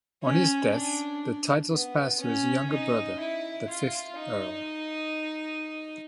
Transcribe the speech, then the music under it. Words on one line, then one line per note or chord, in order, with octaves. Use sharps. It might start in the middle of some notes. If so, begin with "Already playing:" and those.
On his death the titles passed to his younger brother, the fifth Earl.
C#4
D4
B3
C#4
D#4
E4
F4
D#4